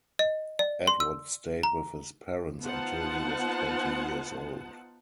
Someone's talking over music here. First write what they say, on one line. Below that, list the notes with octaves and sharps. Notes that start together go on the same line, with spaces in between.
Edward stayed with his parents until he was twenty years old.
D#5
D5
C6
E6
A#5
B3 D#4 F4 C5 F#5 A5